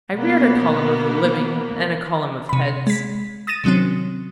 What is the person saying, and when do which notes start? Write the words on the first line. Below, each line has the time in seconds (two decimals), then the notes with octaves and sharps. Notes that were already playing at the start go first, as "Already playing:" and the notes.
I reared a column of the living and a column of heads.
0.13 B2 A#3 B3
2.49 C3 B5
2.87 G#3 B6
3.47 D#6 A6 A#6 D#7 E7
3.64 C3 D#3 F#3 C4 C#4